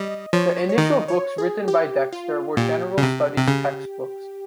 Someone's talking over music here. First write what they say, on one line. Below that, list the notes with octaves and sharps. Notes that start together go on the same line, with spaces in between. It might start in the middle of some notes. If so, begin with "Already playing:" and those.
The initial books written by Dexter were general studies text books.
Already playing: G3 D#5
F3 C#5
C#5
D#3 D#5
C#5
G#4
G4
F4
A#2 G4
C#3
C3
C3
C#3